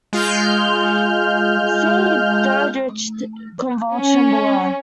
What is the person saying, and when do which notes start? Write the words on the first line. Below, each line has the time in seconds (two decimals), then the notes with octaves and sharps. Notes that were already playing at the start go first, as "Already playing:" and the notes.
See Dirichlet convolution, below.
0.13 G#3 F4 F6 G6
3.95 C#4